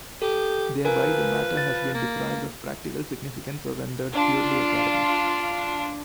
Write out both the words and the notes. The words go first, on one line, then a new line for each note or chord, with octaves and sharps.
Thereby the matter has been deprived of practical significance or rendered purely academic.
G4 A4
F3 A#4 B4 G#5
A6
A#3
D4 F4